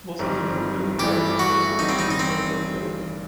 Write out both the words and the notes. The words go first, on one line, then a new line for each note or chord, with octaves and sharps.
Most of the Merino herbarium is also located in the arboretum.
G1 G2 D#3 G3 C4
G2 E3 A3 G4
F#4
A1 G2 D#3 D#4
C4
D#4
D#4
C4